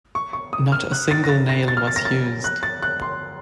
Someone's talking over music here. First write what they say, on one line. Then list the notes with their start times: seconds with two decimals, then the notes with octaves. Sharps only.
Not a single nail was used.
0.15 C#6
0.33 C#6
0.53 D#6
0.72 F6
0.92 F#6
1.11 A6
1.24 A#6
1.29 A6
1.49 A#6
1.68 A6
1.77 F6
1.87 A6
1.96 A#6
2.05 A6
2.44 F#6
2.63 A6
2.83 F#6
3.02 C6